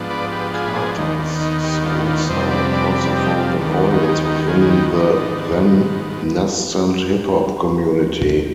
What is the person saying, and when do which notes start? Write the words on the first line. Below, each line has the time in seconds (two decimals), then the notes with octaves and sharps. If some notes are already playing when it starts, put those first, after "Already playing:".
Carter's soul sound also found an audience within the then-nascent hip-hop community.
Already playing: G#2 F3 B3 D4
0.10 B4 D5
0.32 G4 B4
0.53 F4 G#4
0.66 B4
0.76 G#4 C5
0.97 D#2 D#3 B3 D4 D#4
1.20 D4
1.41 D#4
1.63 D#4 G4
1.86 D4 F4
2.07 D4 F4
2.28 F2 C3 G3 D4 C5 D#5
2.50 B4 D5
2.73 B4 D5
2.95 B4 D5
3.16 D#4 G4
3.38 D4 F4
3.60 D#2 D#3 B3 D4
3.77 D4
3.94 D#4
4.03 G#4
4.09 D#4 G4
4.25 D#4 G4
4.48 F4 G#4
4.62 G#4
4.69 D#4 G4
4.91 G#2 D#3 B3 D4 D#4